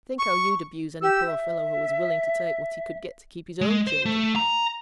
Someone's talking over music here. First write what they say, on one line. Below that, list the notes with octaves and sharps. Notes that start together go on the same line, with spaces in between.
Think how you'd abuse any poor fellow who was willing to take what he could get to keep his own children.
C#6
G4 E6
E5
G#3
C5
A3
A#5